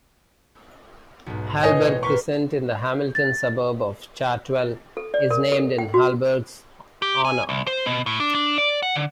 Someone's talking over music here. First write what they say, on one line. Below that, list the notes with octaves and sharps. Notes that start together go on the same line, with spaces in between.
Halberg Crescent, in the Hamilton suburb of Chartwell, is named in Halberg's honour.
B1 G#2
A1 B2 C5 C#5 D#5 G#5
A#4 B4 C6 C#6
A6
A4
D5
A#4
A4
G5
F#4
G4
G#5
C2
C5
B2
A2
D4
D4
D5
F#5
D3